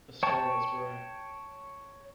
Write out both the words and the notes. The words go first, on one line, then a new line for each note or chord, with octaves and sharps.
A storm is brewing.
C#5 G5 A5 C#6